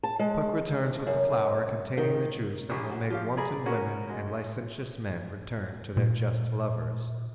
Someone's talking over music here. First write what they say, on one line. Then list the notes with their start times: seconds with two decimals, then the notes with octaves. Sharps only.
Puck returns with the flower containing the juice that will make wanton women and licentious men return to their just lovers.
0.03 A5
0.19 G#3
1.07 F#2
1.97 D#3
2.70 A#1 A#2 C#3 G4 C#6
2.91 F#4
3.11 F3 G4 F5
3.37 G#4 D5 A#5 B5
3.65 A#3 C#4 F#4 A#4
4.09 G#3 F#4
5.97 A#2